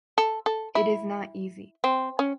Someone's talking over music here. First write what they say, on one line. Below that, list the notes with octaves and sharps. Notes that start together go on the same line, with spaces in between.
It is not easy.
A4
A4
E4
C4
C#4